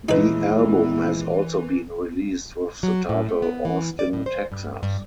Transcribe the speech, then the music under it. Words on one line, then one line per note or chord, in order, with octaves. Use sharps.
The album has also been released with the title "Austin, Texas".
D#2 A#2 E3 G#3 D#4 E4 B4
F#3
A2
A3
B3
E3
D5
A2
C5
G2
G2